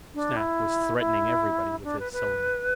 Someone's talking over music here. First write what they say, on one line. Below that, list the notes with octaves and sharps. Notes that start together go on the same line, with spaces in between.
Snap was threatening everybody with his cylinder.
D4
E4
E4
D4
B4
B4